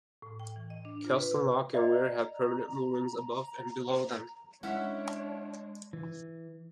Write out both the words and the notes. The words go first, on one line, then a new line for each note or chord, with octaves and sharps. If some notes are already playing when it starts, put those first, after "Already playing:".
Kelston Lock and weir have permanent moorings above and below them.
A2
G5
E3
D#5
D4
F4
B4
C3
D5 D#5 A#5
G#3 C#4 D4 E4 C#5 E5 F#5
E3